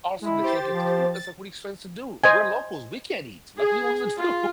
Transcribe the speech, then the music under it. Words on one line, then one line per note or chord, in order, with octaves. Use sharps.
all of a sudden they can't get the food. It's like, what do you expect us to do? We're locals, we can't eat, like, what do you want us to do?
G#3 E4
G4 C5 A6
F3
A6
C5 D#5 G#5
G#4
F4